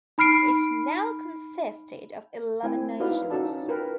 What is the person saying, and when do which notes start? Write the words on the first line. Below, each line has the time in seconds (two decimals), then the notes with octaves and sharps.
It now consisted of eleven nations.
0.18 D#4 B5 F6 C7 D7
2.63 A3 C4 E4 C5 G5 G#5
3.00 D#4 E4 F#4 B4 D5 F5
3.30 C#4 D#4 F#4 A4 D5 A5
3.68 F4 A#4 B4 G5